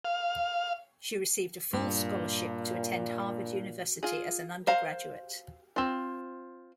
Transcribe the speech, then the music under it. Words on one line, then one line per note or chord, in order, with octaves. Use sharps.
She received a full scholarship to attend Harvard University as an undergraduate.
F5
G2 A#2
F4 G#4
C5 F5 A#5
C4 F4